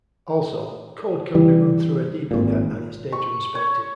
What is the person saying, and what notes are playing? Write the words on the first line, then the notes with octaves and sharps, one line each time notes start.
Also, code can be run through a debugger and its data inspected.
E3 G3
G#1 A#2
C#6
C#5